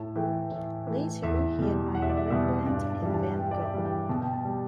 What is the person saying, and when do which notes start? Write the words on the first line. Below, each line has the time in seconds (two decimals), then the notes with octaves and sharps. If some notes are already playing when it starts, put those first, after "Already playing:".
Later he admired Rembrandt and Van Gogh.
Already playing: A2 A5
0.16 E3 A3 G5
0.51 A2
0.87 E3 A3
1.23 E2 E5
1.59 B2 G3
1.95 E2 F#5
2.02 E5
2.09 D5
2.17 E5
2.30 B2 G3 E5
2.66 G2 D5
2.90 A5
3.02 E3 G3
3.14 A5
3.38 G2 G5
3.51 D5
3.61 E5
3.74 E3 G3
3.85 G5
4.09 B2 A5
4.22 G5
4.33 A5
4.45 G3